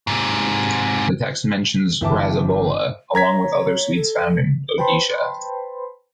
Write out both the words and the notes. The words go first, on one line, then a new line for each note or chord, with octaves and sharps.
The text mentions Rasagola, along with other sweets found in Odisha.
G#2 C3
G1 E3 E5 G5 A5 D6
C#5 A#5 G#6 B6
A4
B4 C5 G5 A5 B5 C6